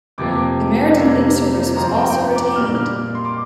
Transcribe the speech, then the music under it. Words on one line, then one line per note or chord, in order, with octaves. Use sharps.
The MerredinLink service was also retained.
F2 C3 F3 A#3 D6
F2 C3 G3 A#3
G2 F3 C4 A#5
G5
G5
A#5
D6
A#2 G3 A#3 F6
F6
C6
D6